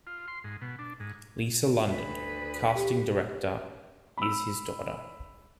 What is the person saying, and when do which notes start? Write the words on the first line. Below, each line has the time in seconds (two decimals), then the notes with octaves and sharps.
Lisa London, casting director is his daughter.
0.07 F4
0.28 C6
0.44 G#2
0.61 B2
0.79 D4
1.00 G#2
1.87 D2 B4
2.75 G4
4.18 B5 E6